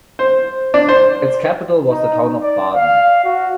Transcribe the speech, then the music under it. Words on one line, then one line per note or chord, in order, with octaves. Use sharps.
Its capital was the town of Baden.
C5
D4
C5
D#4
D5
F5
F#4